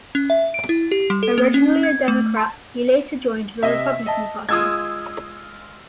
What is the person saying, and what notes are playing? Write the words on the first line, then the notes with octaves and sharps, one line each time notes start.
Originally a Democrat, he later joined the Republican Party.
C#4
E5
D7
E4
G4
G3
A4
A#3
C#4
G#6
A3
C6
C3 D#5 E5
D#5 A5
G#3 F4 D#6 E6 G#6